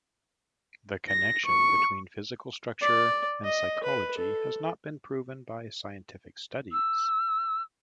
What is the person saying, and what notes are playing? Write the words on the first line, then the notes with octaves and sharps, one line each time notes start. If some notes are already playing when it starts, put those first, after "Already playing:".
The connection between physical structure and psychology has not been proven by scientific studies.
A#6
C#6
D5
D#5
B4
A4
E6